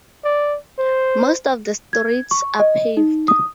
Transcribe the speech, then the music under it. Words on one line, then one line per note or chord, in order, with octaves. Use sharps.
Most of the streets are paved.
D5
C5
G#6
C#6
D#5
D#4
D#6